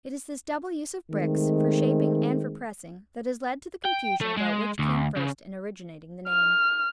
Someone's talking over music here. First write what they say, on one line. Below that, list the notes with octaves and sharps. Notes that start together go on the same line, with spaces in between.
It is this double use of bricks, for shaping and for pressing, that has led to the confusion about which came first in originating the name.
D#3 G#3 A3 C4
G5
A3
G#3
D2
C#3
F6